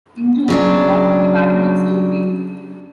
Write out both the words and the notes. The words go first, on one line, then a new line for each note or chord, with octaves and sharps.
In June he fought in the Battle of Sole Bay.
C#3 F#3 D4